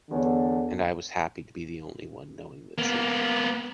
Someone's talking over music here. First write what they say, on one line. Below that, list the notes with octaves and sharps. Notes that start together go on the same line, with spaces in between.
And I was happy to be the only one knowing the truth.
E2 D3 C#5
A#3 B3